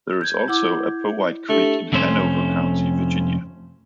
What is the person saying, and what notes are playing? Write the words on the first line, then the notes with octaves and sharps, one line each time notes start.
There is also a Powhite Creek in Hanover County, Virginia.
G6 G#6
E4 F#5 D6
A3 D4 G4 A4
F2 C3 A3 C#4 C5